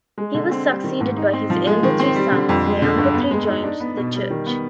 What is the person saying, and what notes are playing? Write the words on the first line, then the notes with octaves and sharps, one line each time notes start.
He was succeeded by his elder three sons, the younger three joined the Church.
G#3
D3
C4
G3
D#3
G#2
D#4
C4
F3
G#3
D#3
C4
G3
D3
F2
G#3
D3
G2
B3
G#3
D#4
D4
B3
B2
G3
D#3
B3